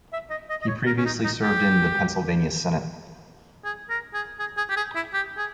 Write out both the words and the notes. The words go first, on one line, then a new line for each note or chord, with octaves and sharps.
He previously served in the Pennsylvania Senate.
E5
D#5
D#5
D#5
C#5
A#4
C#4
D#4
D#4
G4
G#4
A#4
G#4
G#4
G#4
G4
G#4
E4
G4
G#4